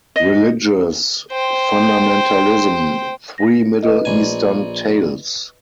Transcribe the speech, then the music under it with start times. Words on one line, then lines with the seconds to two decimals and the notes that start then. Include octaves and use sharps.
Religious Fundamentalism: Three Middle Eastern Tales.
0.16 D#5
1.31 C5 G5
3.38 A#6
3.83 B4 D#5
4.05 A#1 G#5